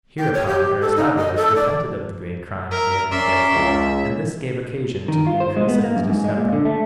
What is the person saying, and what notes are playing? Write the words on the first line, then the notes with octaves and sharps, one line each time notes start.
Hereupon Aristobulus repented of the great crime he had been guilty of, and this gave occasion to the increase of his distemper.
G5
C#5
G4
A4
D#4
D#5
A4
D5
A#4 E5
C#4 A#4 D5 E5 C6
C#2
D#3
F4
C5
G#3
B3
A#3
F#2
G#2
G#3
A#2
D3
A3